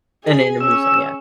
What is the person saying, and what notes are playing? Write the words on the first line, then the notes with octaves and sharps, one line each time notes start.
and then it moves on, yeah.
G#4
C#4 E6